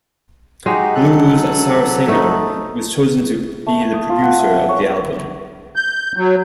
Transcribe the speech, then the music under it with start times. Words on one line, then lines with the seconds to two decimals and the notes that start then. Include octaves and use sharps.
Blues Saraceno was chosen to be the producer of the album.
0.66 G#3 D#4 F#4 G4
0.95 F#3 A4 F#6
2.08 A3 D#4
3.67 A3
3.82 A5
3.94 D#6
4.09 F4
4.23 F#5
4.39 E5
4.56 G#5
4.69 C#5
5.76 G6
6.17 F#3